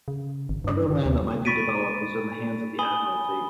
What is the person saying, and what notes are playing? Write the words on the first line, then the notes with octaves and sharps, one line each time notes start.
Other land that might be developed was in the hands of the Admiralty.
C#3
G#1
G2
D#3
D#2
B5 C#6 A6 B6 D7 D#7
G#5 B5 D#6 G7